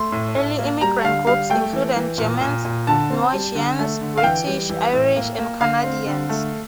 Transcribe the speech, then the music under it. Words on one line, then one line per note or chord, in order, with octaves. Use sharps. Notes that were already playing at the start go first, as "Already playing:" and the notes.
Early immigrant groups included Germans, Norwegians, British, Irish, and Canadians.
Already playing: A3 C6
A2
A2
A#3
G3 A#5
D3 F5
G3 F5
A3 G5
E3
E3
A#2
A#2
A#2
D3 A5
C4
G3
D3
A3
D3
F5
E3 G5
G3
E3
A2
A#3
A#3
D3 F5
C4
D3
A3